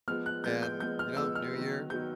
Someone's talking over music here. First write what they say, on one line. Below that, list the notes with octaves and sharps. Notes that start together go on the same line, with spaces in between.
And, you know, new year,
F3 G#3 B3 F6
F#6
F3 G#3 B3 G6
G6
F3 G#3 B3 G6
F6
F3 G#3 B3 E6
F6
D#3 F#3 B3
D#3 F#3 B3 G6